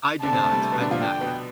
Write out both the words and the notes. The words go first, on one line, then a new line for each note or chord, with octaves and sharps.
I do not. I do not yet,
D3 D4 A5
C3 C4
A3
G3
A3
B2 B3
D3 D4
F3 F4
D3 D4 G5
B2 B3